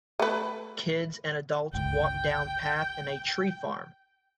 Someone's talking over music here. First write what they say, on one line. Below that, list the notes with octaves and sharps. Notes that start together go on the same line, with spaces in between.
Kids and adults walk down path in a tree farm.
A3 B4
G1 C#2 G5